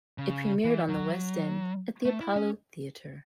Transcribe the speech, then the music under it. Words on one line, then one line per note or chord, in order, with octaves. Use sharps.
It premiered on the West End at the Apollo Theatre.
C#3
E3
F#3
A3
E4
C#4